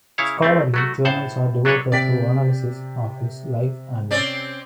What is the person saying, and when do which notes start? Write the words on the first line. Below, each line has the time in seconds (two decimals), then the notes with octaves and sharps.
Scholarly journals are devoted to analysis of his life and work.
0.18 C#3 E4 C#5 F5
0.42 C#2 A3 C4
0.74 F#3 A3 F#4
1.05 A2 C5 F#5 A5
1.65 F#3 D4 A4 B4 C#5
1.92 C3 D5 G5 B6
4.11 C4 C#4 D5